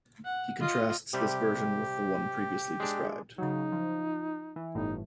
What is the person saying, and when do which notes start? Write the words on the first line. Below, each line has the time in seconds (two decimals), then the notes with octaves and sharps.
He contrasts this version with the one previously described.
0.24 F#5
0.60 F4 D#5
1.13 C3 G3 G4
2.80 G#3 D4
3.38 C#3 F#3 D#4
3.72 F3
4.56 E3
4.75 G1 A2 D#4